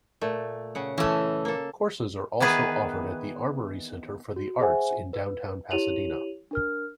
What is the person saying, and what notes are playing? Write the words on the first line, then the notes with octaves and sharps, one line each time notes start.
Courses are also offered at the Armory Center for the Arts in downtown Pasadena.
A#2 A3
C#3 F#5
E3 A3 C#4
A#3 A4
D#3 E3 B3 G#4 B4
F#4
G#4 C5 E5 F#5 G#5
B4
E4 G4 C#5 D#7 F7 F#7
D4 A#4 F6